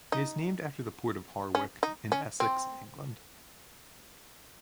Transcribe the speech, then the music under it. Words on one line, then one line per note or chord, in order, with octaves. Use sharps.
It is named after the port of Harwich in Essex, England.
D#4
C#4
D#4
C#4
C4